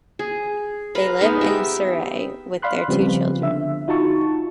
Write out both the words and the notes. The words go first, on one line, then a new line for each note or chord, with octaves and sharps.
They live in Surrey with their two children.
G#4
B4 F5 A#5 B5
G#3 B3 D#4
G4 E5
D5 F5 B5 C6 F#6
C#3 F3 G3 B3 C4
D3 E5
D#4 F4 F#4 A5 C#6